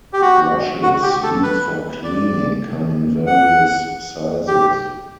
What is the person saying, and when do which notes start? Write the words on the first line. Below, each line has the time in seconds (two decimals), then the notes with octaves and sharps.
Brushes used for cleaning come in various sizes.
0.13 G4
0.21 F#4
0.83 F#4
1.02 G4
1.23 A4
1.43 B4
2.04 D5
3.26 F#5
4.48 G4